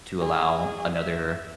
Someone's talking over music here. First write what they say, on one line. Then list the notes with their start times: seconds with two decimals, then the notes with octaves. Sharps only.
to allow another,
0.20 G#4
0.95 E5